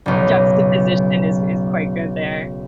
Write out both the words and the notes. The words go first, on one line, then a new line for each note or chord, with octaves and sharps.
juxtaposition is is quite good there.
F#1 B1